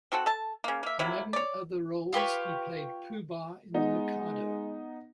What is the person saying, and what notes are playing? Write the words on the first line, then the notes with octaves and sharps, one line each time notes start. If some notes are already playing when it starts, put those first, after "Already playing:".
Among other roles, he played Pooh-Bah in "The Mikado".
C4 F#4 A4 F#5
A4 A5
C#3 A#3
A#3 E5
C3 F#3 A#3 E4
C#5 D5
F4 G4 B4 C#5
G#3 B3 D#4